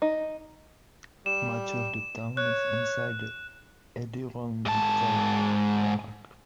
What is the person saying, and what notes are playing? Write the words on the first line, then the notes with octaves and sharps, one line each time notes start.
Much of the town is inside the Adirondack Park.
D#4
G3 E7
C#5 F#6
G#2 A5